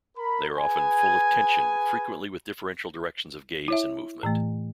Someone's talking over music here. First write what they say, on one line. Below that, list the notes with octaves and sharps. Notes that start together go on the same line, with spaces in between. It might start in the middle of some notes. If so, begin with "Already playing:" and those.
They are often full of tension, frequently with differential directions of gaze and movement.
A#4 B5
G#4 B4 G#5
E4 C#5 E5
A2 E3 A3